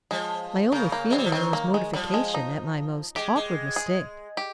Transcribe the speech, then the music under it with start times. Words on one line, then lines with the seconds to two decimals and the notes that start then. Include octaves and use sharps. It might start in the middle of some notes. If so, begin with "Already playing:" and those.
My only feeling was mortification at my most awkward mistake.
0.11 F3 G#3
0.72 C#3 A#3
0.92 A#3
1.10 G#3 C4
1.18 G3
1.25 F3
1.32 D#3 C4
1.53 A#3
1.74 G#3
1.94 F3 G3
2.14 G#3
2.35 D#4
3.16 G#3 G4
3.36 G#3
3.76 G#4
4.37 G4